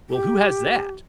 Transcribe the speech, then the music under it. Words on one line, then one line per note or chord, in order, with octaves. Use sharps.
Well, who has that?
G4